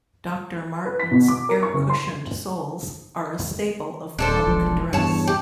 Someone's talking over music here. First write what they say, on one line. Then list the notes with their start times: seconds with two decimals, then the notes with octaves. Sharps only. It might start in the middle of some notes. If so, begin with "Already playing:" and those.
Doctor Martens air-cushioned soles are a staple of punk dress.
0.85 B4
0.99 B6
1.11 B2
1.28 D6
1.49 A#4
1.63 C#6
1.74 F#1
1.90 C6
4.19 D#1 D4 A4 C5
4.47 E1 B1 F3
4.93 E2 G2 C#5 A5
5.28 G4